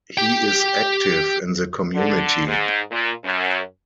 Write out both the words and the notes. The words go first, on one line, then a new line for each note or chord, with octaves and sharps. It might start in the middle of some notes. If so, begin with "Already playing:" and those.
He is active in the community.
G4 G5
D3
G#2
A#2
F#2